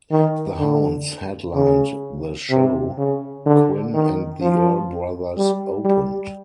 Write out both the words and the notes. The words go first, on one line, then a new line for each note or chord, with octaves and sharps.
The Hounds headlined the show; Quin and the Earl Brothers opened.
D#3
D3
C#3
C3
C#3
D3
D#3
F3
G3
G3